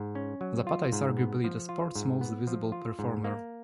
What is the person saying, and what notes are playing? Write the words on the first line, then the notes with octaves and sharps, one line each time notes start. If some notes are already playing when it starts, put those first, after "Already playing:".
Zapata is arguably the sport's most visible performer.
Already playing: G#2
C#4
F#3
F4
G#2
B3
F3
F4
G#2
B3
F3
F4
G#2
A#3